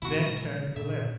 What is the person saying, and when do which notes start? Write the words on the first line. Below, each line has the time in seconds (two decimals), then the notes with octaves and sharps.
Then turn to the left.
0.02 G2 B2 D#3 E4 F#4
0.15 A#2 C#3 G#3 A#5
0.76 A#2 E5